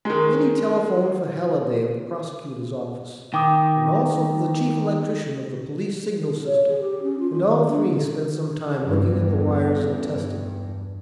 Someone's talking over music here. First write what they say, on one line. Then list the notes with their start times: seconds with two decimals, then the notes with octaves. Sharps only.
Then he telephoned for Haliday of the prosecutor's office, and also for the chief electrician of the police signal system, and all three spent some time looking at the wires and testing them.
0.05 D#3 G#3
3.34 D#3 G5 D6 D#6
6.46 C#5
6.68 G#4
6.80 G4
7.03 C#4
7.19 F4
7.31 F4
7.48 D#3
7.69 D4
7.90 D3
8.82 E2 G2